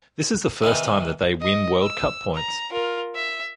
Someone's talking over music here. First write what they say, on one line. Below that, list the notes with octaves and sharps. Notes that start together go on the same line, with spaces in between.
This is the first time that they win World Cup points.
C3 D#3 E3 B3
D#5
E6
A#5
F4 A#4
E5